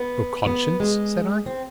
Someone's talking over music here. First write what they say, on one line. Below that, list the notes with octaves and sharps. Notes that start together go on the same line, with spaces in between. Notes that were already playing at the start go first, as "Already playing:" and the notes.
"Your conscience?" said I.
Already playing: B3
B3
G#3
C4